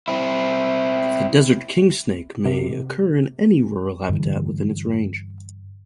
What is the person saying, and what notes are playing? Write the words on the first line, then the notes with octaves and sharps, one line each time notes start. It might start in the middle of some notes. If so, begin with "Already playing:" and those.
The desert kingsnake may occur in any rural habitat within its range.
C4 E4
C3
G2 D3 E3